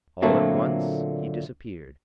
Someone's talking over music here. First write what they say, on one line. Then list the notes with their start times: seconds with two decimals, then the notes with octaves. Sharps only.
All at once he disappeared.
0.22 A#2 D3 F#3 A3 A#3 C4